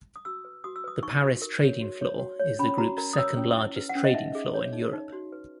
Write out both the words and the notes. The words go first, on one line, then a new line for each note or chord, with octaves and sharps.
The Paris trading floor is the Group's second largest trading floor in Europe.
D#6
F#4 E6
B4
F#4 D#6
E6
B4 D#6
D#4 C#6
F#4
A#4
C#5
F#4
C#5
F#4
C#5
C#4 B5
F#4 A#5
A#4 A#5
D#6
C#5 E6
C#4
E4
B4
F#5
C#4
D#5
D#4 E5
G#4
C#5
D#4
D#4
F#4
B4